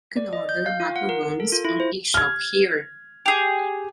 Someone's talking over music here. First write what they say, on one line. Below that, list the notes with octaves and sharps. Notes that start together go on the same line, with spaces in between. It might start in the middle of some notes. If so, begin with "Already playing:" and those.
You can order macaroones on e-shop HERE!
D5
D#5
G6
F5
F4
F#5
A#4
A#4
A4
F4
E4
C5
F6 G#6
G4 G#4